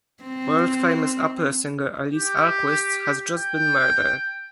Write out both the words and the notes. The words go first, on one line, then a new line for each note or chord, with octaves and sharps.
World-famous opera singer Alice Alquist has just been murdered.
C4
G4
G5